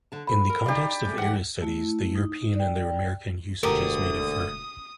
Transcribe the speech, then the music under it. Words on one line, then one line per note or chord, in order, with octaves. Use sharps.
In the context of area studies, the European and the American usages may differ.
D3 A5
D2 B5
A#4
D#4 G4 D5 D#5 F5
G#3 A3
G2 E3 G3 F#5
A3 E4
D#4
D5 G5
E1 D2 D3 A#3 G4 A#4 D#6